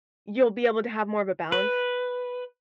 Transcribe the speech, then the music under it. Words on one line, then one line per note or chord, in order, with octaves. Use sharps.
you'll be able to have more of a balance.
B4